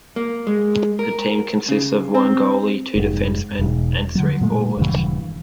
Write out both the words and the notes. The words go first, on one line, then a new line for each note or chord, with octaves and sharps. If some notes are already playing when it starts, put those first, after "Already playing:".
The team consists of one goalie, two defensemen and three forwards.
A#3
G#3
A#4
C#3
C4
F1 G#2
E1 G#2
D3 F#3
A#2 G#3 A3
D#1 G2 C#3 E3